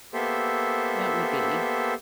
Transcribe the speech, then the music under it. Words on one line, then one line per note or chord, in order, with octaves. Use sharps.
That would be.
A#3 B3 G4 A4 C5 E5